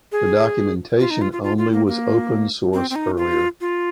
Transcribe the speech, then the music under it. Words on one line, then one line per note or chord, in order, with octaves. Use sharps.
The documentation only was open source earlier.
G#4
F4
D#4
F4
F4
F4
F4
A#3
A#3
C4
C4
D#4
F4
F4